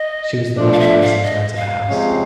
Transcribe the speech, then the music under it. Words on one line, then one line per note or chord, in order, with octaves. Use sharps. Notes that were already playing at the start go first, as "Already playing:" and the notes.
She was the ninth person to enter the house.
Already playing: D#5
F3 A3 D4
F5
E5
F5
D#5
F5
C3 F3 G#3 C#4